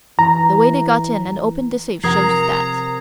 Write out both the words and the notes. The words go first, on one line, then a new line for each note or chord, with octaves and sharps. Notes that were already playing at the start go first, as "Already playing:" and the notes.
The way they got in and opened the safe shows that.
E3 A#5
C3 F3 A#4 F#5 A#5 D#6 G#6 C7